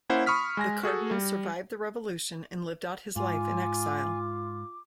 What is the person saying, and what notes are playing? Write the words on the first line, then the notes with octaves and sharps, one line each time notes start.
The Cardinal survived the revolution and lived out his life in exile.
A#3 C#4 E4 C5 F#5
B5 C#6 D#6 F6 B6
G#3 G#5 A#6
F#4 G#4 A4
G3
G#2 F4 G#5 D6